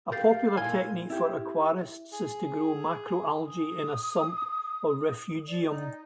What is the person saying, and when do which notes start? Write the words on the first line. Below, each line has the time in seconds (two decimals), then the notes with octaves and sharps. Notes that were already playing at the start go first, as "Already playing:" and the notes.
A popular technique for aquarists, is to grow macroalgae in a sump or refugium.
0.12 G4 A#4 F5 G6 A6 C7
0.57 A#2 E4 A#4 G#5 G#6
1.10 E4 G4
2.12 G#4
3.47 D#6
5.48 D5
5.67 D#4